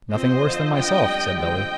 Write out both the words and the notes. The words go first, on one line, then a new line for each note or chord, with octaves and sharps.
"Nothing worse than myself," said Billy.
F3 C4 C5 D#5
D3 F3 C4
F3 B3 D4 D#5 G5
G3 D4
D3 F3 G#3 C4 D#5 G5